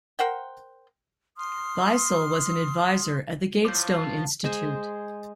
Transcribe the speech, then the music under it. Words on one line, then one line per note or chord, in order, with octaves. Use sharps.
Wiesel was an adviser at the Gatestone Institute.
A#4 C5 F#5 G5
C6 D#6 F6
A2 F3 F4 D6 G6
G#3 G#4 C5